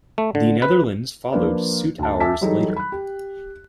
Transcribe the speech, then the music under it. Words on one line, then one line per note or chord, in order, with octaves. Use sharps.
The Netherlands followed suit hours later.
A3
D3
B4
F3 A#3 D4 F4 B4 D5
D2 A5
E5 G#5 A5 D6 E6 B6
E3 F#3 G3 D#4 G#4 A4
B5 F#6
G4